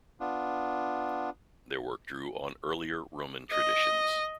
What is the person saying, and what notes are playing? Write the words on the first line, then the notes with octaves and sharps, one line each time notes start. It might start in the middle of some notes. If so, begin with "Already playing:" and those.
Their work drew on earlier Roman traditions.
B3 D4 F4
D#5